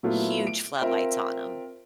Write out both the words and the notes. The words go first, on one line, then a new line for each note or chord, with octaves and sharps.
huge floodlights on 'em.
A#2 F#3 A3 B3 E4 F4
D7
C4 F4 A#4 E5